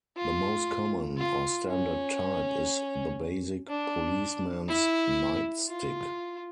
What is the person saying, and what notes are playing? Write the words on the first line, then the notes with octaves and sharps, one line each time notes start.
The most common, or standard type is the basic "policeman's nightstick".
F4
F4
C#4
D4
E4
F4